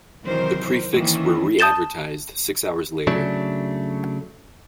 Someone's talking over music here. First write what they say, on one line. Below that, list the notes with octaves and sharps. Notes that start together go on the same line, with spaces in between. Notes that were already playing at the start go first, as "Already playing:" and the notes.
The prefix were re-advertised six hours later.
C3 D#3 E3 F#3 A#4 C5
D#3 E3 A#3 C#4
A5 D#6 G6 A6 E7 G7
C#3 F#3 A3 D4